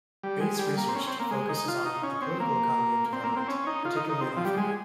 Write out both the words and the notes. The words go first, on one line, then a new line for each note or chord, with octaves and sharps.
Bates's research focuses on the political economy of development, particularly in Africa.
G3
G#3
G3
A#3
C4
C#4
C4
A#3
G#3
D#4
F4
D#4
C#4
C4
A#3
C4
A#3
C4
C#4
D#4
F4
D#4
D#4
C4
F3
G3
G#3